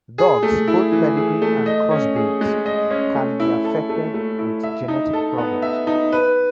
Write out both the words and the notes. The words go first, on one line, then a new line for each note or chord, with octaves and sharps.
Dogs, both pedigree and cross breeds, can be affected with genetic problems.
G#4
A3
E4
E3
G#4
A3
D#5
C#4
G#4
G#3
D#5
C#4
A3
E4
A4
A3
A3
E4
E5
D#4
A4
B3
E5
D#4
B4